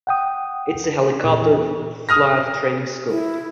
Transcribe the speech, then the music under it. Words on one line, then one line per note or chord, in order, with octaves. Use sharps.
It is a helicopter flight training school.
F#5 G5 D#6
E2 A#2
D#6 F6 A#6
E4